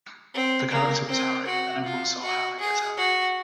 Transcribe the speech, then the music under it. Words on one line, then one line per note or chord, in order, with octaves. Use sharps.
The character was Harry and everyone saw Harry as Harry.
C4
A#3
C4
F#4
F4
F#4
G#4
F#4